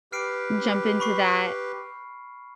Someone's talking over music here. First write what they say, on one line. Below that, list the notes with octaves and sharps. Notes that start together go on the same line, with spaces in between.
jump into that,
G4 B4 F6 C7 D7
B5 C#6 C7